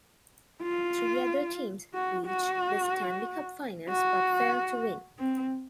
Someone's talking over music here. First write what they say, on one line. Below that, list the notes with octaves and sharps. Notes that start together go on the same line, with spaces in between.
Three other teams reached the Stanley Cup Finals, but failed to win.
F4
F#4
F#4
F#4
C4